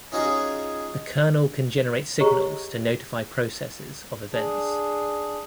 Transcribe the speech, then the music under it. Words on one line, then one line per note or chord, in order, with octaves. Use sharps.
The kernel can generate signals to notify processes of events.
C#4 D#4 F4 F#4 G#4
G4 G#4 C#5 D#5 A#5 C#6
D4 G#4